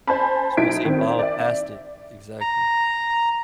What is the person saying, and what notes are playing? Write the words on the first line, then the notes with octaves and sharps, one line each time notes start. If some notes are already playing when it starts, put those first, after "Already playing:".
supposed to evolve past it. Exactly.
C5 G#5 A5 B5
B1 D#4 E4 G#6 B6 D7
D#3 C4
D5 E5
A#5